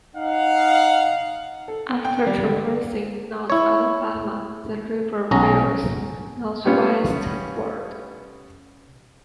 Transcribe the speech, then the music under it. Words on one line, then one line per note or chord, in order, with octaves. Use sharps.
After traversing North Alabama, the river veers northwestward.
D#4 F5 F#5
A4
G5
G3
D3
E4 C#5
B1 C#4 A#5
G3 B3 C#4 F4